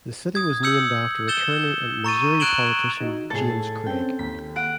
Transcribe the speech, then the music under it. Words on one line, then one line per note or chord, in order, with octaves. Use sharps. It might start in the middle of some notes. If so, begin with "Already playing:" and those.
The city was named after the attorney and Missouri politician James Craig.
D#6 G#6
D#6 E6 G6 C#7 F#7
E6 G6 A6 E7 G7
A#5 C#6 A6 D#7
F#6 G#6 D7 E7 F#7 G7
D#4 F#4
A2 G#4 A4 A6
C4 C#4 G5
D#2 B6
F#5 D7